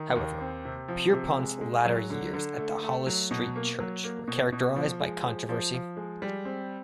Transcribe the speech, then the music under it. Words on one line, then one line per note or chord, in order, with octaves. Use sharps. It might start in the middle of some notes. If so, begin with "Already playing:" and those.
However, Pierpont's latter years at the Hollis Street Church were characterized by controversy.
Already playing: D#3
D#2
C4
C3
F3
C3
G#3
G#3
F#3
D3
D3
A3
A3
F#3
B2
A#3
F#3
A#3
B2
B2
F3
G#3
F3
F3
F3
G#3
G3
C4